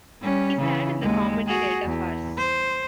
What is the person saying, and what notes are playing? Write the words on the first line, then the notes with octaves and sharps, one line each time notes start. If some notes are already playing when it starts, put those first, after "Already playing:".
He starred in the comedy "Delta Farce".
G3 C#4
C#3 E3
D#2 G#3
F#4 G#4
E2
C5